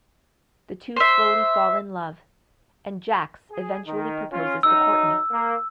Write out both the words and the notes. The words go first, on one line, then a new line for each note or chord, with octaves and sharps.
The two slowly fall in love and Jax eventually proposes to Courtney.
C5 E5
G#4
D#3
C#4 F4
F#2 D#4 E6
A#3